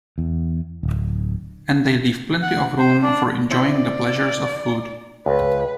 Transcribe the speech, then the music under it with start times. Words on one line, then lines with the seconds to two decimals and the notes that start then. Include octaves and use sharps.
And they leave plenty of room for enjoying the pleasures of food.
0.18 E2
0.83 D1
2.42 F#5
2.78 C5
3.03 D4
3.51 C4 E4 D5
5.26 C#2 B4